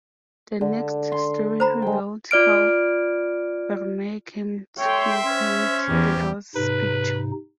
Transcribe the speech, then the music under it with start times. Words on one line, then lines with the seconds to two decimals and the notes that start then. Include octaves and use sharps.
The next story revealed how Vermeer came to paint the girl's picture.
0.61 D3
1.12 C6
1.60 C5 A#5 B5
1.82 G#3 G5
2.31 F4 D5 F6 D7
4.79 A4 C#5 E5 G5 C6
5.26 C#4 C5
5.89 E2 G4
6.55 G#2 C3 D#4 B4